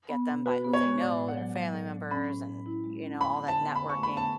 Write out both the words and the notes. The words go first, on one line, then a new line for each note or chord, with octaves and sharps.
get them by who they know, their family members, and, you know, all that networking.
B3
B2
F#4 B4
B3
C#5
G#3
A2 D5
A2
F#5
F#3
F#3
A2
A2
C#4 B5
A2
A2
E4
G#3
C#4
D3 B5
D3
A5
D3
D3 B5
C#6
A3
B5
D3 A5